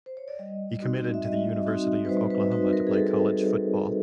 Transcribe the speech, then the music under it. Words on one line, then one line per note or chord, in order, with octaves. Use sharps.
He committed to the University of Oklahoma to play college football.
C5
C#5
D5
G3 D#5
C4 D#4 F#4
E5
G3 D#5
C4 D#4 F#4
B4
G3 C5
B4
C4 D#4 F#4 B4
A#4
G#4
G3 A4